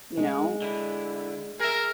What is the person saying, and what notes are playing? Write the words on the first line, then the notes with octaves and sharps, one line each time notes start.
you know?
G#3
D3 E4
G#4 A#4 E5